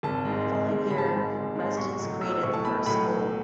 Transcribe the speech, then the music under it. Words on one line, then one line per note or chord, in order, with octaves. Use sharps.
The following year, residents created the first school.
G#1 A5
G#2 G#3
G#1
G#2 G#3
G#1 B5
A5
B5
G#2 G#3
G#1
G#2 G#3
B1 C#6
A2 F#3
B1 E6
E6
A2 F#3 C#6
A5
B1 B5
A2 F#3 B5